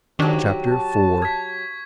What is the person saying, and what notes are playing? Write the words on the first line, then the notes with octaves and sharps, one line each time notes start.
Chapter IV.
G#2 D#3 F#3 D4 G4 C#6
A5
G#6 B6